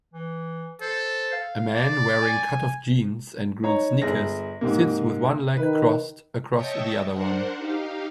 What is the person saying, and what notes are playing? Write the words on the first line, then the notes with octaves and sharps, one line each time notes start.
A man wearing cutoff jeans and green sneakers sits with one leg crossed across the other one.
E3
A4 C5
F5
D5
G#5
D#4 C#5 A#5
G1 G#4 A#6
G#2 C3 A#3
D#3 B4
C#5 D#5 E5 G5 A5 C#6
D4 A#4 C5 F#5
D#4 G4 F5